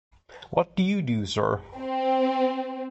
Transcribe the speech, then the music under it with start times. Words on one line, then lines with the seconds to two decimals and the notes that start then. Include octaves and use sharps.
What do you do, sir?
1.77 C4